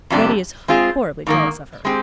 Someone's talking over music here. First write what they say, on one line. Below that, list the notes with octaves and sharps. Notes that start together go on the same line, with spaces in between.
Reddy is horribly jealous of her.
F2 C3 G3 D4
G#3 C4 F4 G#4
G#2 D#3 A#3
G#3 C4 G4